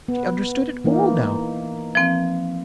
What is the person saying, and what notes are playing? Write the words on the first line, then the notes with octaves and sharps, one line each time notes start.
She understood it all now.
B3
E3 A#3 D#4
F3 C4